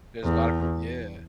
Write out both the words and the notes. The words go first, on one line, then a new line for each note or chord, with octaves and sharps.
There's a lot of p yeah.
E2